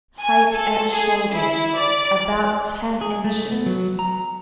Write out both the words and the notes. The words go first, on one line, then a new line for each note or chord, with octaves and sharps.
HEIGHT AT SHOULDER--About ten inches.
G#5
A4
G#4
E4
D5
G#4
A3
B3
F#3
A#5